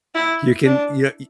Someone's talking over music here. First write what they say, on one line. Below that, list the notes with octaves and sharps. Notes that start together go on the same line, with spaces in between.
you can, you know y
E4
D4